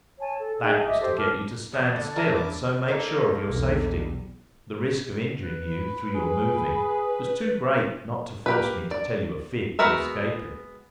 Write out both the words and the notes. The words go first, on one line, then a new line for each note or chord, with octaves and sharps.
"That was to get you to stand still, and so make sure of your safety. The risk of injuring you through your moving was too great not to force me to tell you a fib to escape it."
C#5 G#5 A5
A4
D#4 G#4 E5
D#5 E5 D6
G4 A4 C5 D6
A5 D6 F6
B2 E3 A#3 D5
D3 D4
A#3 E4 E5 A5
D4 A5 D6
A#3 D#4 A4
B1 E2 G3
B4
G#4
A#3 G4 B4
D5
G#3 B3 F#4 A#4 E5